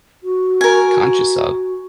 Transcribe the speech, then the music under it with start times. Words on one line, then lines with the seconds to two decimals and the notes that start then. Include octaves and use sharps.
conscious of.
0.23 F#4
0.61 A#4 G#5